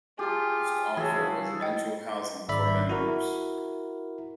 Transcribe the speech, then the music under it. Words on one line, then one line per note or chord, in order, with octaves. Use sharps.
Most offer residential housing for members.
F4 G4 G#4 A5
C#3 E3 E4 F#4 G#4 A4
E4 D#5 G5
G#1 D5 E5 B5
E4 F#4 A#4